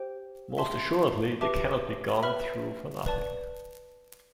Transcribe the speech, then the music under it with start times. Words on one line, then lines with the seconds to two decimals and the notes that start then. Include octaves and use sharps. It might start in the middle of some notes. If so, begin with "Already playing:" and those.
Most assuredly they cannot be gone through for nothing.
Already playing: G4 C5 G5
0.57 E5 A5 C6
1.41 G4 B4 E5 A5 D6
2.23 B4 E5 B5 F6
3.06 B4 D5 A5